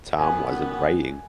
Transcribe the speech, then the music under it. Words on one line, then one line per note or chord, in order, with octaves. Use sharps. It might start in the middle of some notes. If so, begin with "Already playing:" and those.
Tom wasn't writing.
F#2 D#3 B3 G#5